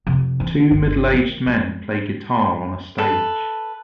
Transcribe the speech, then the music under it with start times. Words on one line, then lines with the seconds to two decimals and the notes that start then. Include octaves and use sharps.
Two middleaged men play guitar on a stage.
0.07 F2 C3
0.40 E3 C4
0.71 G1 E4
1.14 D#3
1.46 G#3
2.98 A4 B4